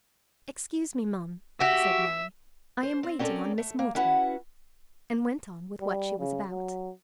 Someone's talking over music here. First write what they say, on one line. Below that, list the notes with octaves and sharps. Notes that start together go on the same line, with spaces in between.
"Excuse me, ma'am," said Mary, "I am waiting on Miss Mortimer," and went on with what she was about.
F#4 G4 E5
C5
C4
C4 C#4 G4 A4 A#4 D5
A3
A#3
C#4 E4 F#4 B4 F#5
G3
C#3
F#3